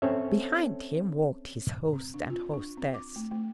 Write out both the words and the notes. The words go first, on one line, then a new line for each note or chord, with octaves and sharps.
Behind him walked his host and hostess.
C4 C#4 A4 C#5 E5
C4
D4
F4
D4
C4
D6
A3
A3